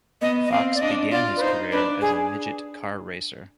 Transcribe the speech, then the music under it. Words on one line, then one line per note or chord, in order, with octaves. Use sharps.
Fox began his career as a midget car racer.
B3 D#5
D#5
C4 F5
D5
D4 D#5
F4 D5
B4
D#4 C5
D4 B4
G#4